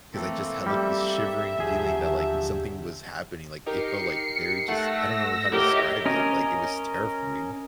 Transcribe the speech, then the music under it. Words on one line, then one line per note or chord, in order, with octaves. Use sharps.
'cause I just had, like, this shivering feeling that, like, something was happening, like, it felt, like, very just I don't know how to describe it. Like, it was terrifying.
E3 A3 A#3 C4 A4
G3 E5
D#2 D3 F3 F#3 G4 G#4
D#4 G4 A#4 C7 C#7
A3 F#5 E6 A#6
A2 G4 A#4 C#5 D#5 E5
C#4 A#4 D#5